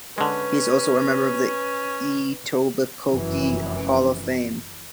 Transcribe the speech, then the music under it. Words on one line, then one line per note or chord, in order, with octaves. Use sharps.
He is also a member of the Etobicoke Hall of Fame.
D3 G#3 C#4 B4
F1 F#2 E3 C#4